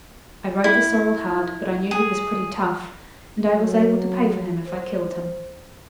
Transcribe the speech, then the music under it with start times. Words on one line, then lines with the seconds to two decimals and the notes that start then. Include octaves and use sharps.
I rode the sorrel hard, but I knew he was pretty tough, and I was able to pay for him if I killed him.
0.64 E4
1.91 G#4
3.54 F#3
4.62 C5